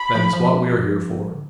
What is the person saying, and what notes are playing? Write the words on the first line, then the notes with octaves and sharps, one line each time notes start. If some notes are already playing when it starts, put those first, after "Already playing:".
That is what we are here for.
Already playing: B5
F3
F3
D3